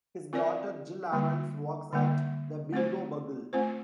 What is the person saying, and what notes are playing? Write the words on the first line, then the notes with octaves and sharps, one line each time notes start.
His daughter, Jill Arons, works at "The Bingo Bugle".
C4 F4 A#4 D5
D3 G3 A#3
D3 G3 A#3
A3 C4 F4 C5
A3 C4 F4 C5